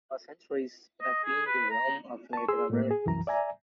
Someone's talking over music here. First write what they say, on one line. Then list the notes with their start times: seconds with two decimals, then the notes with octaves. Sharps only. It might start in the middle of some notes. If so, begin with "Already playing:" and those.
For centuries, it had been the realm of Native Americans.
1.02 D#5
1.25 G#4
1.47 B4
1.71 A#5
2.33 A5 C#6
2.48 G#4 C6 E6
2.70 A2 A#3
2.91 G#4
3.06 C2 F#2 E3 A#5
3.27 D5 E5 G#5 A#5